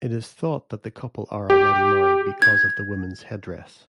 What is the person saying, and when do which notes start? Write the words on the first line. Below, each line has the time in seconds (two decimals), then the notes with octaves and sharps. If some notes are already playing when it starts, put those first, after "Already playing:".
It is thought that the couple are already married because of the woman's headdress.
1.50 G4
2.42 G#6